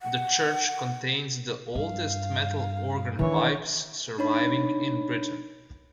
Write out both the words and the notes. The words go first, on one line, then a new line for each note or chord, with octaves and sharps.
The church contains the oldest metal organ pipes surviving in Britain.
F#5
G2 F5
D#3 E3 D4 C#5
D4 D#4 C#5 B5